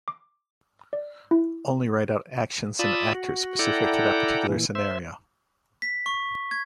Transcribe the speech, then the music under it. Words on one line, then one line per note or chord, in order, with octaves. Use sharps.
Only write out actions and actors specific to that particular scenario.
D6
D5
E4
F4 D5 A5 B5 D#6 E6
F#4
E4 A4 D5 F#5 G5 A#5
A#2 E3
C5 E5
B6
C#6
G#6